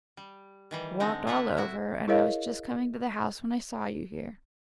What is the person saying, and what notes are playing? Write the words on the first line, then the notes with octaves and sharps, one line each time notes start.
I've walked all over, and I was just coming to the house when I saw you here.
G3
D#3 E3 G3
D3 G#3 C4 D#4
A#3 F4 E5 F#5
A2 E4 F#4 E5
E4 G#4 A#4 C#5 D#5 F5